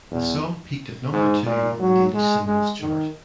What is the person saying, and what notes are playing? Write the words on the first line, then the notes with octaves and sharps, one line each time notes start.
The song peaked at number two on the Danish Singles Chart.
E2
G#2
A#2
F#3
G#3
G#3
D#3